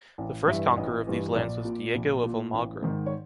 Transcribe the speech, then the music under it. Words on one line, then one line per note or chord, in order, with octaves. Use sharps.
The first conqueror of these lands was Diego of Almagro.
A1
G2 E3 E5
A1 D#5
G2 E3
A#1 D5
A#2
A#1
A#2
A1
G#2 D#3
C#5